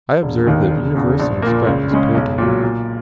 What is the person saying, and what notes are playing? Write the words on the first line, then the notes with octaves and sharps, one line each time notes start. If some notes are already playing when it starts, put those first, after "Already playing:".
I observed that universal respect was paid to him.
E1
D#2 D#3
E1
E2 C#3
A#1
A#2 A#3
C#2
C#3 G#3 C#4
B1
A#2 F#3
A#2